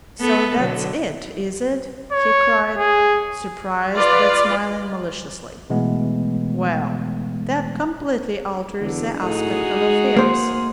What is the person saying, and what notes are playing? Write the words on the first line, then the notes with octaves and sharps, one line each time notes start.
So that's it, is it?" he cried, surprised but smiling maliciously. "Well, that completely alters the aspect of affairs.
B3 A4
B2 D3 F#3
C#5
G#4
F4 B4 D5
B2 E3 G#3 A3 B3
E2 D3
A2 D#4 F#4 G#4
G#3
A#3 C5